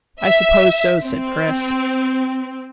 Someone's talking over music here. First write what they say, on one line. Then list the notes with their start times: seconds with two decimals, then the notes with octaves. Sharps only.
"I suppose so," said Chris.
0.22 E5
1.03 C4